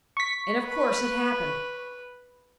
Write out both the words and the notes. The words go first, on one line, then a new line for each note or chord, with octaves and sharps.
And of course it happened!
C#6 B6
B4